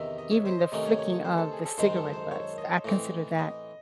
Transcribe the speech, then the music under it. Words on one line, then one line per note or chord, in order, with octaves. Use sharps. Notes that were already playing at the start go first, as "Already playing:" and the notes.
even the flicking of the cigarette butts, I consider that,
Already playing: E2 C3 D#3 D#5 E5
D#5
C#5
C5
D#5
C3 D#3 A3 C#4 D#5
C#5
C#5
C#5
C5
A4
G#4
A4
F#2 D#3 G#3 C5
A4
C5
C#5
D#5
A2 E3 C4 D#5
D#5